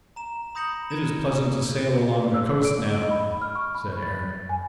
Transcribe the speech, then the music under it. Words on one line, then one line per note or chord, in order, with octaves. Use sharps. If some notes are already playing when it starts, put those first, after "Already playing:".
"It is pleasant to sail along the coast now," said Eric.
A#5 E7
B5 D#6 G6 A#6 C#7 F#7
G6 G#6 A#6 E7
E6
D7
D#5
B5
F6
C#6
B5
A6
G#5